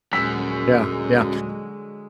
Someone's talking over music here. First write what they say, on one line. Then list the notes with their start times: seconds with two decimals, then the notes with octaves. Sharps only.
Yeah, yeah.
0.13 D#1 F#2 D3 F#3 G#3 E6 B6